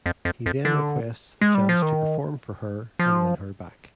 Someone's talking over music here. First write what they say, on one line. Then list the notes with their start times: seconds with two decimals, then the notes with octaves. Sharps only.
He then requests the chance to perform for her and win her back.
0.06 F2
0.25 F2
0.46 F2
0.65 D3
1.41 G#3
1.55 G3
1.69 F3
1.82 D#3
2.99 F3